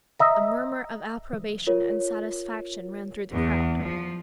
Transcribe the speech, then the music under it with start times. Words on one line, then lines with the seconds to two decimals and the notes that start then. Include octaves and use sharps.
A murmur of approbation and satisfaction ran through the crowd.
0.19 D#5 E5 A#5
1.67 F4 A#4 C#5
3.31 E2
3.83 F3